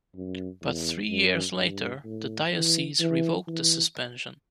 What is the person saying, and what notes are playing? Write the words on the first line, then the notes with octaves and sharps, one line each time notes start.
But three years later, the diocese revoked the suspension.
F#2
E2
F#2
G2
A2
E3
E3
E3